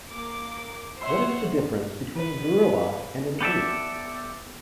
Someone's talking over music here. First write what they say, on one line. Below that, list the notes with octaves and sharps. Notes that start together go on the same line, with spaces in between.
What is the difference between a gorilla and an ape?
A#3 D6
C5 C#5 E5 F#5 C6
B4
B3 G4 A4 D5 E5